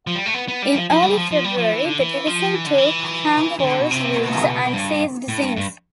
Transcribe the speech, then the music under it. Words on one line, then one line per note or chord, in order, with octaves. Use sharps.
In early February, the division took Campholz Woods and seized Sinz.
F3
G3
A3
B3
B3
G3
F3
F3
G3
F3
F3
G3
F3
E3
D3
E3
F3
E3
D3
E3
E3
D3
B2
C3
B2
G2
A2
G2
G2